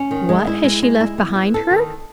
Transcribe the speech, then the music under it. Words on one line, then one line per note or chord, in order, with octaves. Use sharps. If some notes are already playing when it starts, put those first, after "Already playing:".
What has she left behind her?
Already playing: C#4
D#3
G#3
E4
G#3
G#3
E4
B3
E4
A4
D#3